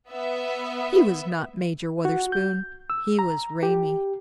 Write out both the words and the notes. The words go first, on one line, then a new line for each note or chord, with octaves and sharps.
He was not Major Wutherspoon; he was Raymie.
B3 E5
F#4
G6
E6
A#5
G4